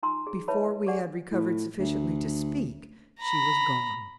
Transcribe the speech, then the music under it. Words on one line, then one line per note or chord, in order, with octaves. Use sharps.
Before we had recovered sufficiently to speak, she was gone.
D#4 F4 G#5 A#5 C6 E6
G#4
E4 B4 C#5 E5 A5 B5
G4 G#4 D5 F#5 G#5
A2
D2
A#5 B5